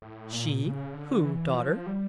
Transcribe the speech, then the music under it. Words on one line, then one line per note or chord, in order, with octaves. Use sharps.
"She? who, daughter?"
A2
A#2
C#3
D3
E3
F3
G3